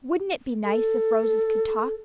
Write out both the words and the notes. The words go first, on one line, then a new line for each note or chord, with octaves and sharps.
Wouldn't it be nice if roses could talk?
A4